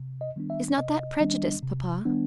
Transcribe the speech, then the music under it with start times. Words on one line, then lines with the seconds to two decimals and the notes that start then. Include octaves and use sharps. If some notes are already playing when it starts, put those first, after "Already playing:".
"Is not that prejudice, papa?"
Already playing: C3
0.21 D#5
0.36 D#3 G3 B3 D4
0.50 E5
0.78 C3 D#5
1.20 D#3 G3 B3 D4
1.63 C3
2.05 D#3 G3 B3 D4